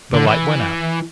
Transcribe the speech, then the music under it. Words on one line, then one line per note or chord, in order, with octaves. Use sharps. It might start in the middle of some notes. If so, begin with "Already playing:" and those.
The light went out.
D3
E3